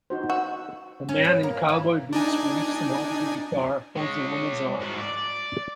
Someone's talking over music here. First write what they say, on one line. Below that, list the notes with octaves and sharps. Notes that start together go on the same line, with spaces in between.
A man in cowboy boots, briefs and holding a guitar, holds a woman 's arm.
D#4 F#4 C5
F#4 E6
C#4
B3
A#3
E3
D4 D#4 G#5
G#3 C#5
G#2 F#4
D5